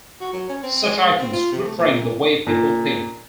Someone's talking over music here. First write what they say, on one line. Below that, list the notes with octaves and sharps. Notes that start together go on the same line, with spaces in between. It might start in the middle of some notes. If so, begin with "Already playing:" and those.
Such icons reframe the way people think.
F#4
F#3
C#4
C4
G#3
G#3
C4
F4
C3
A3
A#2
A#2
A#2